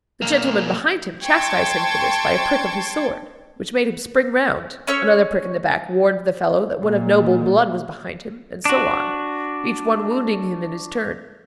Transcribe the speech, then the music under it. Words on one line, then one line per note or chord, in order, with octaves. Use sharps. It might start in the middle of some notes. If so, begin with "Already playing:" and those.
The gentleman behind him chastised him for this by a prick of his sword, which made him spring round; another prick in the back warned the fellow that one of noble blood was behind him, and so on, each one wounding him in his turn.
B1 A#3
G5 A5 C6 C#6 G#6
C#4 C#5 E6
A#2
D4 F#4